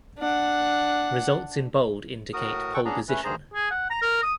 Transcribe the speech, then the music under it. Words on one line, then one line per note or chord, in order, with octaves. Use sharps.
Results in bold indicate pole position.
D4 F#5
A2 F#4 A#4 D#6
A4 F#5 G5 C#6
B3 C#4 D4 G#4 A#5
A3 C#4 B4
D2 G2 D#3 G#4 C5 A#5
G#4
F#5
A#5
A#4
D#6